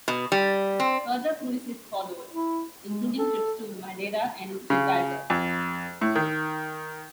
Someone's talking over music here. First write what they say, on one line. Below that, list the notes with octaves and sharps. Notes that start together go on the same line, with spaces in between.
Further cruises followed, including trips to Madeira and Gibraltar.
B2
G3
C4
E4
G#3
A4
C#3
F2
A2
D#3